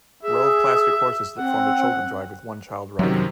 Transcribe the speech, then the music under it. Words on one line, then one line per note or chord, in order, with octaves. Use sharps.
Row of plastic horses that form a childrens ride with one child riding.
G#4 E5
C4 F#5
F#2 C3 D#3 F#3